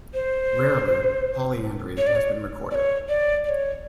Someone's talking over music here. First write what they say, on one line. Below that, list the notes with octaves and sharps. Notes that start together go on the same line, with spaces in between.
Rarely, polyandry has been recorded.
C5
C#5
D5
C#5
D5
C#5
D5
D5
C#5